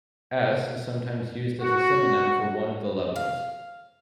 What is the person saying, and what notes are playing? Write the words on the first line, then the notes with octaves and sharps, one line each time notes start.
"S" is sometimes used as a synonym for one of the levels.
F#4
F5